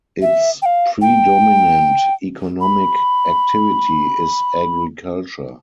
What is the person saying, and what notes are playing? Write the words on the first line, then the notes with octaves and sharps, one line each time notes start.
Its predominant economic activity is agriculture.
E5
G5
F5
G5
B5